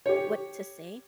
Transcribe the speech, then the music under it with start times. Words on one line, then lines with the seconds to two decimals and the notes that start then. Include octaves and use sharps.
what to say,
0.06 G4 C#5